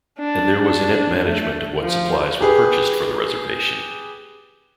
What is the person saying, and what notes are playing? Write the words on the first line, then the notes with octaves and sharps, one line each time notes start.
And there was inept management of what supplies were purchased for the reservation.
D4
D4
A3
F3
G4 G#4 B4